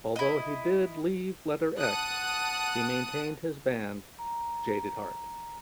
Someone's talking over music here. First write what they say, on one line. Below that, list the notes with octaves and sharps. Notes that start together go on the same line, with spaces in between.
Although he did leave Letter X, he maintained his band Jaded Heart.
E4 D#5
F#5 A5 D#6 F#6
A#5